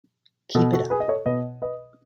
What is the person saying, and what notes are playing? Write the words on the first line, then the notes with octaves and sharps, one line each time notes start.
Keep it up!
B2 F#4 A4
F#4 A4
G#4 B4
D#5
A4 C#5
B2 B4 D#5
B4 D#5